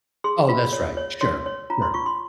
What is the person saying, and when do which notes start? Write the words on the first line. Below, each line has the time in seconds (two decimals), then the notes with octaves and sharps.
Oh, that's right, sure, sure.
0.24 G#4 C6
0.49 F4
0.73 C#5
0.97 C#5
1.21 C#5 C6
1.46 C#5
1.70 F4 A#5
1.82 C6
1.94 F4 C#6
2.06 C6